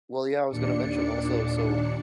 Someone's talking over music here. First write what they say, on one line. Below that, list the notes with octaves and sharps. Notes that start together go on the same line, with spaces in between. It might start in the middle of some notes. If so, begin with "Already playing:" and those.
well, yeah, I was gonna mention also. So,
D#2 A#2 D4 D5 C#7